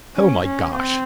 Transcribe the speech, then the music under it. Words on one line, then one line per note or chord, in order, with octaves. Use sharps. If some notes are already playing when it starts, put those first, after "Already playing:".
"Oh, my gosh!"
C#4
C#4
C4